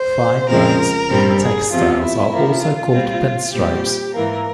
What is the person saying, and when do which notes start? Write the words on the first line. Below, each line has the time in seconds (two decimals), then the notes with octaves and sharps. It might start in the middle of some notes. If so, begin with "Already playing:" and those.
Fine lines in textiles are also called "pin stripes".
Already playing: C5
0.49 F2 C#3 F3 G#3 C4 A#4
1.10 G2 G3 C4
1.40 G#4
1.71 E2 C3 F3 F4
2.02 E4
2.32 C3 F3 A#3
2.62 F4
2.92 A#2 G3 C4
3.53 A#2 G3 C4 G4
4.14 G#2 E3 A#3 A#4